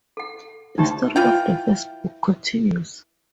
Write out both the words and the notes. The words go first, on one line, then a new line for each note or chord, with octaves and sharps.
The story of the first book continues.
A4 F#5
D2 D#4 G4 C#5 A5
E3 F4 G5